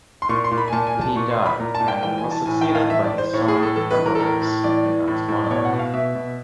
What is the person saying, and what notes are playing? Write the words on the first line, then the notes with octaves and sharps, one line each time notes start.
He died and was succeeded by his son Ebraucus as monarch.
C6
A#2 C#6
C6
A#2
B5
G#5
A#2 A5
G#5
A#2
A5
A#2 C#6
C6
A#2
B5
A#2 A#5
A5
A#2
G5
E3 G5
G#5
E3
A5
A2 G#5
G5
A2
F5
E3 E5
D5
E3
C5
A2 C#5
G#4
A2
A4
E3 A4
B4
E3
A#4
A4
A2 A#4
A2
E3 D5
E3
A2
A2
D5
B2 C#5
F#5
B2
F5
B2 E5
B2